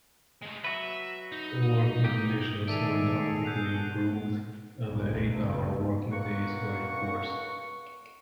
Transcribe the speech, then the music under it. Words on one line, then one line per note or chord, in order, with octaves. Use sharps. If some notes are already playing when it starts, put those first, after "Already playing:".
Working conditions were dramatically improved and the eight-hour working days were enforced.
G#3 A3
F#3 F#4 B4 E5
D#4
B1 G#2 G4
D#3 G#4 A4 D5 E5 D7 D#7 F7
F#5 G6 C7 F7
B1 F2 A#2 C#3 G3 G#3
F#1 C#2 A2 F3 A3 A#3
C#2 A#3 F#5 C#6